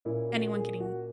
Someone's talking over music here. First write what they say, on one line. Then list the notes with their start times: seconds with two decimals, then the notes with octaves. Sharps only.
anyone getting
0.05 A#2 A#3 C#4 E4
0.30 F#4
0.55 G#4
0.80 F#4